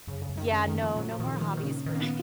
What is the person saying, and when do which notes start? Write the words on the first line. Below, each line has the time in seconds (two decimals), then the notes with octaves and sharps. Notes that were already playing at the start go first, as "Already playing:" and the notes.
Yeah, no, no more hobbies for me,
0.07 F#2 C#3
0.22 C#3
0.29 F#2
0.38 D#3
0.52 C#3 C#4
0.68 D#3
0.74 A#3
0.82 F3
0.96 A#2 F#3
1.11 F3
1.19 A#2 D#3
1.26 C#3
1.36 F3
1.41 D#3 A#3
1.57 D#3
1.63 C#3 C#4
1.86 A#2 D#3
1.95 A#3
2.00 B3